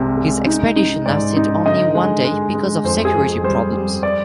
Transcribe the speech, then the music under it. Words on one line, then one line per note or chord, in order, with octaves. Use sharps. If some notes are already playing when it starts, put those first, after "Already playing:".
His expedition lasted only one day because of security problems.
Already playing: C2 C3 G#3
G#3
D#4
D#4
G#2 D5
D#4
D3 D#5
G#3
G#3
G#3
F2 C5
G#4
F2
G3 C5
G3
D5